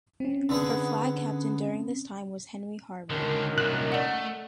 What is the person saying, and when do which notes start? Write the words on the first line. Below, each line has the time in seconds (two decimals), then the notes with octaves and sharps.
Her flag captain during this time was Henry Harwood.
0.20 C4 C#4
0.49 D3 B3 G#4
3.10 C#2 F#2 D3 D#3
3.58 C2 A#2 F#6
3.92 A3 D5 F#5